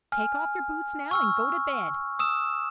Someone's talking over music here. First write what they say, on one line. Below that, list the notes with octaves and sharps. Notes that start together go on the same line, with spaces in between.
Take off your boots now and go to bed.
G#5 F6
C#6 E6 F6
D#6 E6 E7